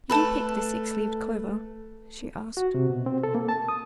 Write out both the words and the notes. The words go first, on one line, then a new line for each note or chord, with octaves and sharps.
"Did you pick the six-leaved clover?" she asked.
A3 A4 B4 A5 B5
F#4
C3
B2
C4
A4
A#3
A5
D#6